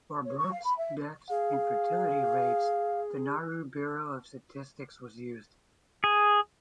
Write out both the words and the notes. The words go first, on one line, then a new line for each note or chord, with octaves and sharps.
For births, deaths, and fertility rates, the Nauru Bureau of Statistics was used.
C#5
C#6
F5
B5
E5
G#4 F5
G#4